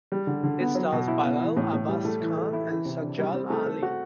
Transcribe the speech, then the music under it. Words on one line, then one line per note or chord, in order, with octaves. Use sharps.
It stars Bilal Abbas Khan and Sajal Aly.
G3
D3
D3
B3
F#3
B2
E4
B3
E3
A2
A2
G3
A3
E3
A4
E4
E3
C3
D4
G3
C4
A3
A4
F#4